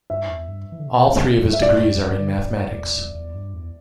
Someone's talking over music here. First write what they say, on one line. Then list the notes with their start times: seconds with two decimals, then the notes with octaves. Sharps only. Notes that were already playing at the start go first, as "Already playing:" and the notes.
All three of his degrees are in mathematics.
0.10 G2 E5
0.29 E2
0.48 G2
0.72 E3
0.79 D3
0.87 C3
1.05 A2
1.16 D3
1.24 C3
1.38 G2
1.43 A2
1.53 E5
1.62 G2 D5
1.82 E2
2.01 G2
2.20 D3
2.34 E2
2.39 G2
2.58 A2
2.77 E2
2.96 E2
3.15 E2
3.35 G2
3.54 E2